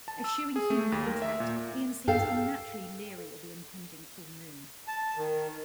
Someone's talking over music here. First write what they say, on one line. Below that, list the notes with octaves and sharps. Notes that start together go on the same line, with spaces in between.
Eschewing human contact, Ian seems unnaturally leery of the impending full moon.
A5
E6
G#4
A3
D#2
A#4
E5
A#2
A4 F5 G5
A5
D#3